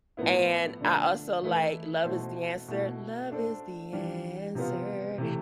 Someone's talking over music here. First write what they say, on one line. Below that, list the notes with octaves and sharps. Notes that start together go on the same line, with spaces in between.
And I also like Love Is the Answer. Love is the Answer.
A2 F3 B3 E4
D3 F3 A3 D4
E3 A3 E4 B4
B2 A3 E4 A4 C5
B2 A3 E4
A3 D4 A4 C5
E3 G3 D4 G4
C3 F3 B3 F4
C3 E3 A3